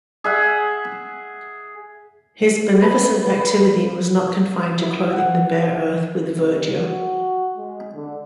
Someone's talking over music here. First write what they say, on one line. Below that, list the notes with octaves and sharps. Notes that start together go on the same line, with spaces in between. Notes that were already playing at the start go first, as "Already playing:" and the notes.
His beneficent activity was not confined to clothing the bare earth with verdure.
G#4 E5 F#5
B4
F#3 E4
F#5
C2
F#4
G#3
D3